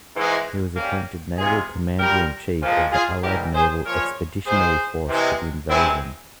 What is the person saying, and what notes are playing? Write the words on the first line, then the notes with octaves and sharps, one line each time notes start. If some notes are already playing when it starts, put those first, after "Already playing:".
He was appointed Naval Commander-in-Chief of the Allied Naval Expeditionary Force for the invasion.
G#2 E3 G#3
G#2 G3 A#3 C#4
C3 E3 G#3 F4 G#4
A#2 G3 G4 A#4
A#2 F3 G#3
F4 G#4
G#2 E3 G3 G4 A#4
G#4 C5
A#2 F3 G#3 A#4 C#5
G#2 E3 G#3 G#4 C5
C3 E3 G#3
G2 E3 G#3 C4 E4